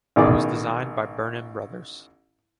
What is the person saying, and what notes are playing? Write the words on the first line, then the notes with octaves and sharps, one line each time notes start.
It was designed by Burnham Brothers.
A1 B2 D#3 G#4 D5 D6